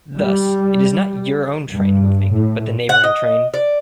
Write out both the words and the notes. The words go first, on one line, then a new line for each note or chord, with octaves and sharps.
Thus, it is not your own train moving, but the neighboring train.
G3
G2
A2
F#5
D#5
D5